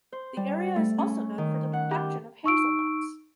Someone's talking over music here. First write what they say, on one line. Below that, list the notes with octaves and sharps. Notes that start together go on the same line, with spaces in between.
The area is also known for the production of hazelnuts.
C5
G3
A3
C#4
D#3
F#5
G4
D#4 C#6 E6 D7